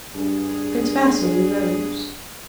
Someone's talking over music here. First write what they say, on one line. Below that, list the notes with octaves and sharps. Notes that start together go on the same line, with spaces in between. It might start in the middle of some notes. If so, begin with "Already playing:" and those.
Prince Vasili rose.
G2 G#4